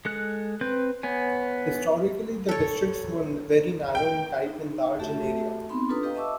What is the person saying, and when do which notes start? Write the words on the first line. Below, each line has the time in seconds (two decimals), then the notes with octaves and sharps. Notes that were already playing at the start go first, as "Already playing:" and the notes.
Historically, the districts were very narrow in type and large in area.
0.05 G#3 A4 F#6
0.61 C4 B4 G6
1.03 B3 C#5 G#5
2.49 A4 C#5
3.95 G5
4.46 D#4
4.99 A3 F#4 G4 A4 E5 A5
5.69 B3 C4 D#4 B5 C6
5.89 D4 F4 A4 B4 A#5 D#6
6.03 G4 B4 D#5 F5 G5
6.15 D#5 E5 A5 C#6 D6 E6